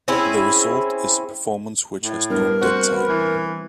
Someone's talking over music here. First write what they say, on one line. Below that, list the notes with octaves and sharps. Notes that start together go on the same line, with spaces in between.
The result is a performance which has no "dead time".
C4 C#4 E4 G#4
A2
G3 B3 D4 A#4
A3 C4 F#4 C5
B4
E3